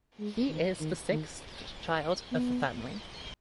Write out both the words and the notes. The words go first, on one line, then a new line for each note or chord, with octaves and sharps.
He is the sixth child of the family.
G#3
D#3
D#3
D#3
B3